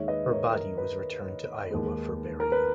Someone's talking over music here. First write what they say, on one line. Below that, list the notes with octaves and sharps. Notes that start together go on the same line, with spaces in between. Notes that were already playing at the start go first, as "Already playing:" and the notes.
Her body was returned to Iowa for burial.
Already playing: D#2 D#3 G#3 C#5 E5
B4 D#5
A#4 C#5
A#4
B4
D#2 D#3 G#3
A#4
B4